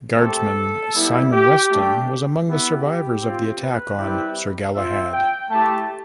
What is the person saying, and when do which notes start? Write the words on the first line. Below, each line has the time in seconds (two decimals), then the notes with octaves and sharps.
Guardsman Simon Weston was among the survivors of the attack on "Sir Galahad".
0.17 A3 C4 G4 A4
0.93 G3 B3 E4 G4
1.32 G4
1.71 A3 D4 G4
2.46 B3 E4 G4
2.85 G4
3.22 C4 F4
3.61 B4
3.98 G3 C4 E4 G4
4.74 C4 F4 E5
5.13 G5
5.50 A3 E4 G4 A5